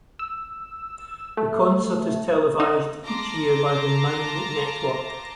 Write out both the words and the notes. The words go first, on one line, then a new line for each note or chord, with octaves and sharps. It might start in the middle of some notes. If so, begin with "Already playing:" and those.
The concert is televised each year by the Nine Network.
E6
A3
D#4
F4 A5 A#5 C6 D6 A#6